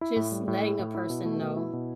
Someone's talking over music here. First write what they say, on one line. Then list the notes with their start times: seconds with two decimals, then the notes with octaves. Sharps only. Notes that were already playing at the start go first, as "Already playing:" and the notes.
just letting a person know.
0.01 E4
0.16 A2
0.32 G3
0.48 A2
0.63 E4
0.79 A2
0.95 E4
1.10 B2
1.26 A3
1.42 B2
1.57 E4
1.73 B2